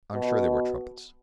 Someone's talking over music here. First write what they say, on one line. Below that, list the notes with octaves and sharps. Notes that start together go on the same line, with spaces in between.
I'm sure they were trumpets.
B2